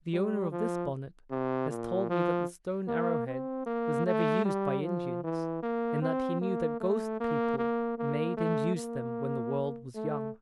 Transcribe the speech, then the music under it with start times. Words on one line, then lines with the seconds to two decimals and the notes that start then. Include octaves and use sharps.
The owner of this bonnet has told me that the stone arrow-head was never used by Indians, and that he knew that ghost-people made and used them when the world was young.
0.13 G3
0.52 F3
1.31 C3
1.70 A#2
2.10 F3
2.88 A#3
3.27 C4
3.66 A#3
4.06 A3
4.45 G3
4.84 F3
5.24 E3
5.63 A#3
6.02 C4
6.41 A#3
6.81 A3
7.20 A#3
7.58 A#3
7.98 A#3
8.37 A3
8.76 A#3
9.95 A3